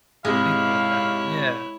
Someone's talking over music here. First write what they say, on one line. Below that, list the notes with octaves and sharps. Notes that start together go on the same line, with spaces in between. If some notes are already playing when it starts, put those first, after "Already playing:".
think about that, yeah.
G#2 C3 G#3 E4 C#5 F5